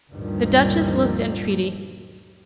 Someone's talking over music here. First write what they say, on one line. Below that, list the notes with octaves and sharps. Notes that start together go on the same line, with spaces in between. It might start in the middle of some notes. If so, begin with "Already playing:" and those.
The Duchess looked entreaty.
D2 G2 A#2 D#3 F3 G3